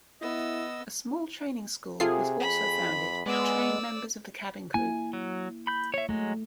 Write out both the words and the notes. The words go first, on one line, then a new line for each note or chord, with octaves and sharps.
A small training school was also founded to train members of the cabin crew.
B3 E4 D#5 E6
C3 F4 G#4 A4 C7
F2 B5
G#3 B3 D5 E6
A#3 E4 G#5
F#3
B5 G6
C#5 E5
F#3 G#3 A3